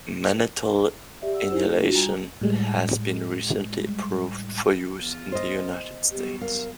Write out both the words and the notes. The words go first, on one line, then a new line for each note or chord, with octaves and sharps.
Mannitol inhalation has been recently approved for use in the United States.
G4 D5 E5
F#5 E6
D#4 E4 G4 C5
A3
D4 F4 F#4
G3 G#5 A#5
A2 G3 G#3
E2 F4
C5 D#5
F#3 G3 B3 G4
A#4 F5